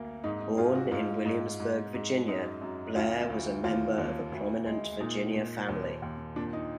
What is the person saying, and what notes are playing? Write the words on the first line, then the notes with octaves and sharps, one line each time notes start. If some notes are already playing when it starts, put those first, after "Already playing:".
Born in Williamsburg, Virginia, Blair was a member of a prominent Virginia family.
Already playing: D2 A#3
G#2 D#4
D#4
G#2 F4
F#4
G#2 F4
G#2
G#2
G#2
F#2 D#4
F#2
D2 F4
D2
D#2 F4
D#2
D2
G#3
A#2 D#4
A#2
D#2
D#2
A#2 D4
D#4